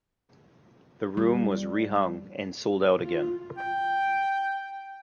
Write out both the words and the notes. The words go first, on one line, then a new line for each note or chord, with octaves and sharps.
The room was re-hung and sold out again.
G3
F4
G5